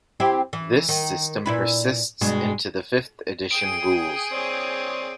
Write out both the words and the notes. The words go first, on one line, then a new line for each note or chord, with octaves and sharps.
This system persists into the fifth edition rules.
C4 E4 G4
E3
D#3
A#2 E4 B4
G2 B2 G#3
G#4 G5 D#6 D7
C4 C#5 D5